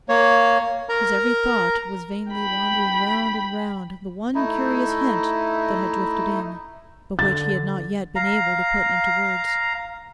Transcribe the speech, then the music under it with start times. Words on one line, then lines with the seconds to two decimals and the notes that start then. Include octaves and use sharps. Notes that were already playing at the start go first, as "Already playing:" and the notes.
His every thought was vainly wandering round and round the one curious hint that had drifted in, but which he had not yet been able to put into words.
0.09 A#3 C#5
0.89 A#4 A#5
2.32 G5 B5
4.35 A3 D#4 E4
7.19 D3 A6
8.15 F5 A#5